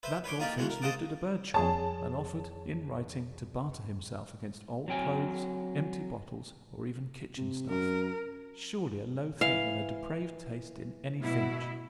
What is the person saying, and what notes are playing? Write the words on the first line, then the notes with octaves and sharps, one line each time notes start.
That goldfinch lived at a bird-shop, and offered, in writing, to barter himself against old clothes, empty bottles, or even kitchen stuff. Surely a low thing and a depraved taste in any finch!
B4 C5 E5
B4 C#5 C6 D6
A#3 D#4 F4 G4 D5 F5
B2 E3 G#3 F#4
A#4
C5 D#5 F5 F#5 A5 D6
F2 G#4 C#5 A5
F#3 C4 G5 G#5
C3
F#2 A#4
E3 F5
B2 E4